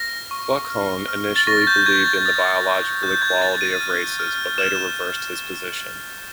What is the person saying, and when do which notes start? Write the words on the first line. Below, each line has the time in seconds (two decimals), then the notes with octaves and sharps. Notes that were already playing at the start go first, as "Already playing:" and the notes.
Kluckhohn initially believed in the biological equality of races but later reversed his position.
Already playing: F6 A#6
0.31 C#6
0.70 F6
1.08 F6
1.36 A6
1.47 C#6 A#6
1.67 G6
1.86 C#6 G#6
2.06 A6
2.25 D#6 A6
2.64 F#6
3.02 F#6 G6
3.22 G#6
3.41 F#6 A6
3.61 D#7
3.81 F6
4.20 F6
4.58 F6 E7